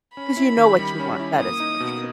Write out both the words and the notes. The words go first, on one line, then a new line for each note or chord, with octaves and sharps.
‘Cause you know what you want. That is for true.
C#4 B5
E4
D#3
G3
C#4
E4
A#3 D#6
D#4
B2